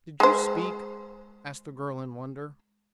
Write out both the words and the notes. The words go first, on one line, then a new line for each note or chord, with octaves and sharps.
"Did you speak?" asked the girl, in wonder.
G#3 C5